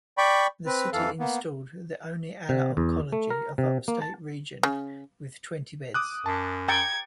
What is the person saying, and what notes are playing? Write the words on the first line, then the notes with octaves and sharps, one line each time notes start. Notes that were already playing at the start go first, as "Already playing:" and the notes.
The city installed the only Ala Oncology of upstate region, with twenty beds.
D5 G5 B5 C#6
C4 B4
F2 E3 A4 F5
A#3 B3
C3
E2
A3
A#4
C3
A#3
A5
C#3
D6 D#6 F#6
F#2 A5
G5 A#5 G#6 A6 C#7